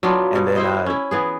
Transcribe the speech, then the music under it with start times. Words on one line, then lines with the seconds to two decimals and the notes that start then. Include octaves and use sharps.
and then, uh,
0.03 F#3 B3 D4 F4
0.35 B2
0.56 E4 C5 D#5
0.86 C#4 E4
1.11 E3 B3 G#4